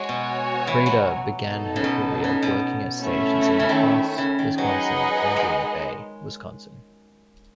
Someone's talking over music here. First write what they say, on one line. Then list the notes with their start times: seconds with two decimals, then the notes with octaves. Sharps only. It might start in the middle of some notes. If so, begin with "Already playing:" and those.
Kreiter began her career working at stations in LaCrosse, Wisconsin and Green Bay, Wisconsin.
Already playing: G#3 F#4 C#5 G#5
0.09 B2
0.67 E3
0.86 F#3
1.45 B3 D#4 A4 D#5 A5
1.76 C#3
1.84 B2
2.24 C#3
2.42 B2
3.02 A3 C#4 E4 A4 E5
3.41 C#3
3.59 C#3
3.69 D#3
4.18 C#3
4.39 D#3
4.57 F#3 D#4 G#4 B4 D#5 F#5
5.36 G#3